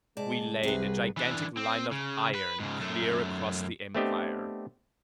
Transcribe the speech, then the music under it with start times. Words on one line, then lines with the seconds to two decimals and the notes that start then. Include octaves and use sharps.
We laid a gigantic line of iron clear across the empire.
0.17 C3 G#3 D5 A5
0.63 C2 C3 G#4 B4
1.17 E3 D4
1.57 C4
1.92 C#3
2.35 B4
2.60 G#2 C#3
2.80 F#2 A3
3.95 A3 B3 C4 D4 G4 D#5